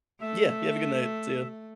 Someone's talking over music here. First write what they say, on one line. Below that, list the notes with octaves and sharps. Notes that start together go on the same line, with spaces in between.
Yeah, you have a good night. See you.
A3 E5